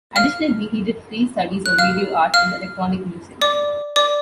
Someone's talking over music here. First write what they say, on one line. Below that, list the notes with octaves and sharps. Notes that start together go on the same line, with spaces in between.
Additionally he did free studies of video art and electronic music.
F5 F6
F#6
F5 F6
F5 F6
D5 D6
D5 D6